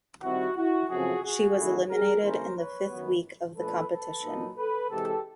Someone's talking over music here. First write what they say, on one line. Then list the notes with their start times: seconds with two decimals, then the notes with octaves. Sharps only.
She was eliminated in the fifth week of the competition.
0.23 D#3 G3 C4 E4 F#4
0.56 E4 F#4
0.89 F#2 C#3 F3 A3 C4 F#4 G#4
1.23 F#4 G#4
1.56 D#3 F#3 A3 C#4 E4
1.90 G#4 A#4
2.22 D3 G3 A#3 C#4 E4 A#4 C5
2.57 B4 C#5
2.90 F#2 D#3 F#3 B3
3.56 A#2 F3 A3 D4 A4 B4
3.90 A4 B4
4.23 A#2 F#3 A#3 D#4
4.57 A4 B4
4.90 C3 E3 G#3 G4 A4